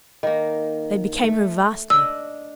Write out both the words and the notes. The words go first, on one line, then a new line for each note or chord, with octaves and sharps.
They became her vastly.
D#3 A#3
A3
D4 D#5 E6